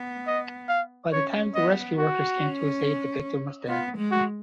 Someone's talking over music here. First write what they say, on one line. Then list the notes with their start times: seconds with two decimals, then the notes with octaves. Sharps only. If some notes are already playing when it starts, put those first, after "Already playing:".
By the time rescue workers came to his aid, the victim was dead.
Already playing: B3
0.27 D#5
0.69 F5
1.12 C#4 C#5
1.55 B3 D#5
1.98 F#4
2.40 C#4
3.68 B3 F4
3.97 G#3
4.11 F#4